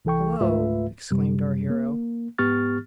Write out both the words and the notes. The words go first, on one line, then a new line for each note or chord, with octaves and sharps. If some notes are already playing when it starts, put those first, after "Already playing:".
"Hello!" exclaimed our hero.
C2 E3 A4 G5 C#6
C#2 G#2 A3 F4 B4 E5
F#2 C3 G3
A#3
G#2 B3 G4 C#6 F6 A6